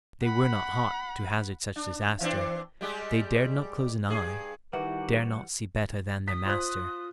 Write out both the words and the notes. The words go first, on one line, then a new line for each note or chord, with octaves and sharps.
They were not hot To hazard such disaster; They dared not close an eye--dared not See better than their master.
F#5 B5
D4
E3 C4 D4
G3 G#3 G4
G2 G#4
D#3 E3 G3 D#4 F#4 G4 F#5
D#6 B6
F4 C5 F#6